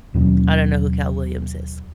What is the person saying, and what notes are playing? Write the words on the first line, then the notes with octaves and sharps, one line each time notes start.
I don't know who Cal Williams is.
D#2 B2 F#3 C#4